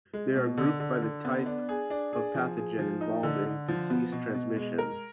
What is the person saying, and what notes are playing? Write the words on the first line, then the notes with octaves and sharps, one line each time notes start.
They are grouped by the type of pathogen involved in disease transmission.
G#3
B2
D3
D3
D3
B3
D4
G#4
D4
G#4
F3
G#4
F3
D#4
D3
D3
F3
B3
B2
B2
G#3
A#4